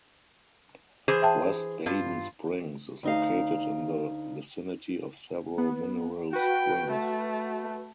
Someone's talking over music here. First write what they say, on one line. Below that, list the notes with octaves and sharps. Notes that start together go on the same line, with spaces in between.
West Baden Springs is located in the vicinity of several mineral springs.
E3 G#4 C5
E5 G5 A5
G2 F4
D2 D#4 F5
B3
F#4 B4 G5
A3